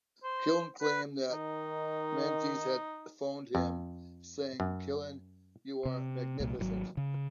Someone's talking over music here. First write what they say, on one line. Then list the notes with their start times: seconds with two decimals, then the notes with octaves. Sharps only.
Killen claimed that Menzies had phoned him, saying Killen, you are magnificent!
0.23 C5
0.81 B4
1.31 D#3 D#4
3.55 F2
4.60 F#2
5.85 C3
6.40 C2 A#2
6.59 G#1 D3 F#3
6.97 C#3